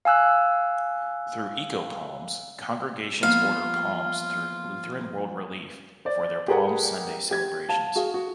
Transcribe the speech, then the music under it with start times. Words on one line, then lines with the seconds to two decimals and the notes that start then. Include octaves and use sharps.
Through Eco-Palms, congregations order palms through Lutheran World Relief for their Palm Sunday celebrations.
0.05 F5 G#5 E6 F#6
3.23 F3 A#3 B3 F4 F5
6.05 C5 D5
6.48 G4 G#4 A#4 B4 F#5
7.31 G4 G#6
7.69 F5 A5
7.96 F#4 G#4 F5
8.14 F#4